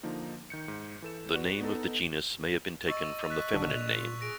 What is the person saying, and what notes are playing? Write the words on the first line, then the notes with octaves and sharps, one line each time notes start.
The name of the genus may have been taken from the feminine name.
D3 F3 A#3 D#4
D#3 G6 C#7
G#2
E3 A4 E7
F#4 B4 D5
B3 D#4 A4
D#5 C#6 E6 A6
F#6 B6
A1 D3 D4
A#2 F7
F4 F7
G#4 A#6 D7